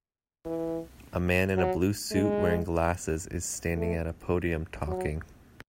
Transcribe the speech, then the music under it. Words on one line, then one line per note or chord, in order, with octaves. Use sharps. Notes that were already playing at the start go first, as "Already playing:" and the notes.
A man in a blue suit wearing glasses is standing at a podium talking.
E3
F#3
G#3
A3
F#3